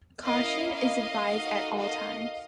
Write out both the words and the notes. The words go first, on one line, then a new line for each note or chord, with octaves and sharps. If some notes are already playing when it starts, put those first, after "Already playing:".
Caution is advised at all times.
A#3 C#4 E4 D#5 F5
D#5 F5
A#3 D#4 F#4 A4
D#5 F5